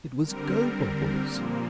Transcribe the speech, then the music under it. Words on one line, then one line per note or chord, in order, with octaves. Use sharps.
"It was Gobobbles."
D3 G3 C4 A#4
A#2 F3 A#3